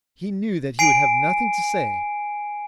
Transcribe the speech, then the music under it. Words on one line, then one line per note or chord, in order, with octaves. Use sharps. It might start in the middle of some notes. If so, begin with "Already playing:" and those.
He knew that he would have nothing to say.
G#5 C7 D7